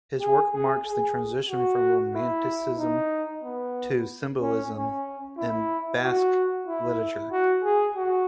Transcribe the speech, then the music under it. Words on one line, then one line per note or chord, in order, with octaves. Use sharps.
His work marks the transition from Romanticism to Symbolism in Basque literature.
G#4
G#4
G#4
F#4
E4
D#4
B3
C#4
C#4
E4
F#4
E4
F#4
G#4
F#4